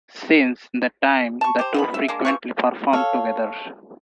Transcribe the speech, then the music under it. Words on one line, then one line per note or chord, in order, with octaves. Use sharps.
Since that time the two frequently performed together.
A5 C#6
G4 C5
D#3 B3 B5
E5
G#3 A#3 D4
E3 F3 C#6
A4 C#5 F5